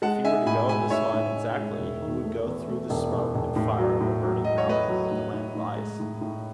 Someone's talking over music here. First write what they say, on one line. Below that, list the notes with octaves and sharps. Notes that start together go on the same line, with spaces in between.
If you were to go in this line exactly, you would go through the smoke and fire of a burning mountain in a land of ice.
G#3 F#5 A5
D#4 E5 G#5
A2 G#5 B5
G#3 G#5 B5
A2 C#5 E5
A2
D#4
G#3
E1
D#3
A3
E2
A3
E1
E1
E1
A2
F#3
A2
F#3
F#3 D#5
C#5
A3 B4 D#5
F#3
A2
A2
A2
G#3
A2
A2